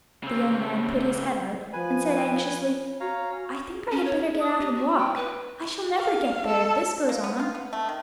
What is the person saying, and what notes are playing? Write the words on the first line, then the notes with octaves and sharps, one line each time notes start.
The young man put his head out and said anxiously, "I think I had better get out and walk; I shall never get there if this goes on."
C#3 C4
F3 B4 G#5
F#4 C#5 F5 A#5
C#4
C#4
C#5
G#4
D#6
G4
F#4
G5
B4
F5
A4
A#3
B3
F4
B3
A3
D#3